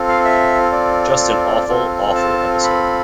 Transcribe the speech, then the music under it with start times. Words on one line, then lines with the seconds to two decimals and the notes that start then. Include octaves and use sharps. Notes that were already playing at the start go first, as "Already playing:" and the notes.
Just an awful, awful episode.
Already playing: C4 F4 A4
0.08 F5
0.24 E5
0.72 D5
1.68 C4 F4 A4
2.15 A5
2.63 B5